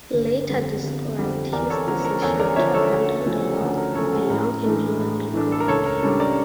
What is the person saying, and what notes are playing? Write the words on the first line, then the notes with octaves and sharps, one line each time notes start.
He later described his decision to abandon the law "my long enduring regret".
G1
F2 D3 G3
G1
F2 D3 G3
E2 A#4 D5
A4 C#5
D3 F3 C#4 A#4
A#4
E2 A4 C#5
A#4 D5
D3 F3 C#4 C#5 E5
A4 C#5
D2
C#3 F3 A3 C#4
A#4
D2 A4
A#4
C#3 F3 A3 C#4 A4 C#5
A4
A2 A#4
E3 A3 D4
A2
E3 A3 D4
A4
A#4
C#2 A4 C#5
A#4
C#3 G3 D4 A4 C#5
A#4 D5